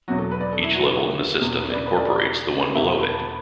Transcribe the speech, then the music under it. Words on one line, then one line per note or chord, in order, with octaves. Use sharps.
Each level in the system incorporates the one below it.
E2 B2 F#3 F#4
A4
B4
D5
A4
E4
F#4
A4
E4
E2 B2 B3
D5
B4
B4
D5
E2 B2 A3 E5
F#5
B5
A5
B5